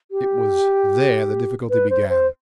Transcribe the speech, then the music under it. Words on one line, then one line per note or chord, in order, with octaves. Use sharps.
It was there the difficulty began.
G4
B4
C5
C5